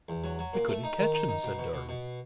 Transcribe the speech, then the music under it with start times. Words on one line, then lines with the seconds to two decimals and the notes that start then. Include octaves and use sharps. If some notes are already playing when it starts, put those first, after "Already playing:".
"We couldn't catch him," said Durham.
0.09 E2
0.24 F#3
0.39 F#3
0.53 A#2
0.68 A3
0.84 D#4
0.98 D#3
1.14 D#4
1.29 D#4
1.44 B2
1.59 B2
1.73 B2
1.89 B2